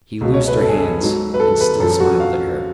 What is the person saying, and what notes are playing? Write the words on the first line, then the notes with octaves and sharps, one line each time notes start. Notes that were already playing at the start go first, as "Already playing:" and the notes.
He loosed her hands, and still smiled at her.
C#2 B2 F#3
C#5
B4
A4
G#4
A4
G#2 F#3
B4
A4
B4
F#2 F3 A4
F#4
F5